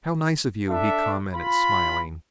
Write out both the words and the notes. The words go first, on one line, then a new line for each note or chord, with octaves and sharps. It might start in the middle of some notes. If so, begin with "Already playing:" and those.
"How nice of you!" he commented, smiling.
D4 A4 E5
F4 B5